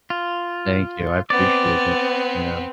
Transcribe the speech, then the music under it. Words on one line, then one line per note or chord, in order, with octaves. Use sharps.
Thank you, I appreciate it. Yeah.
F4
B3 C4 D5